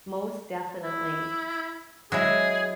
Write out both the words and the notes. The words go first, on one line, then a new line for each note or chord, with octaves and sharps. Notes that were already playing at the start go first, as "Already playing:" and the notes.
Most definitely.
E4
F#3 G#3 E4 G#4